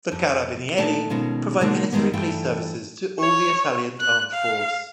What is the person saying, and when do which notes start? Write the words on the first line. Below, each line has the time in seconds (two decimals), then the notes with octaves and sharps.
The Carabinieri provide military police services to all the Italian armed force.
0.12 F2
0.78 A#2 D#3 A3 D4 A5
1.10 B2 D#3 G#3 C#4 F4
1.61 B2 D3 D#3 F3 G#3 A#3
1.92 F2 D#3 G3 G#3 A#3 B3
2.13 G2 E3 A3 E4 F4 G5
3.20 C#5
4.00 F#6
4.34 F5